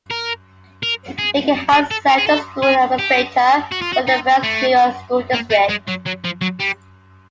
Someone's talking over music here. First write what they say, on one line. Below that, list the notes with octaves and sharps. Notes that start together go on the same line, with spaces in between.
Vega has served a school administrator for the West New York School District.
A#4
A#4
G#4
G#4
A4
A#4
G#4
A4
G#4
G4
F#4
F4
F#4
D#4
A3
A#3
A3
G#3
F#3
F#3
F3
F#3
G3